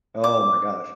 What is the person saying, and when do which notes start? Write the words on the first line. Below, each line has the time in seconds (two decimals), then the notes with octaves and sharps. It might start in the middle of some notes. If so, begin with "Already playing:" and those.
Oh, my gosh.
0.24 D6